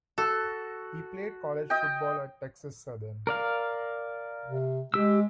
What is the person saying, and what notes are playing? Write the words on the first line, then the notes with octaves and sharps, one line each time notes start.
He played college football at Texas Southern.
F#4 A4
D#5 G5
A#4 D5 F5
C3
G#3 G4 E6